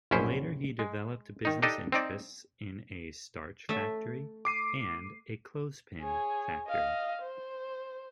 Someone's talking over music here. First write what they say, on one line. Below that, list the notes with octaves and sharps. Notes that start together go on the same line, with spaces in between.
Later he developed business interests in a starch factory and a clothespin factory.
A#1 F#2 B2 C#4 E4 C5
G#3
D#3 D#4
D4 D#4 G4 A4 D#5 A5
C4 D#4 D5
A3 E5
D6 C7 D#7
G#4 C#5
D#5 F5
C5